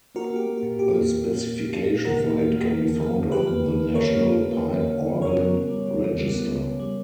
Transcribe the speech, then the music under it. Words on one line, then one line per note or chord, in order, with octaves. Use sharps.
A specification for it can be found on the National Pipe Organ Register.
A#3 F#4 A#4
A#3
G4
A#3
F#4
A#2
A#2 G4
A#3
A#2
A#2
A#3
A#3
A#2
A#2
A#3 F#4 A#4
A#3
A#3
A#3
A#3
D3
A#3
D3
A#3 G4 B4
A#3
D3
A#3
D3 A#4 C#5
A#3
D3
A#3
D3
A#3
D3
D3
C#3 A#4 C#5
B3
C#3
G3
C#3
C#3
G3
B3
C#3
C#3
G3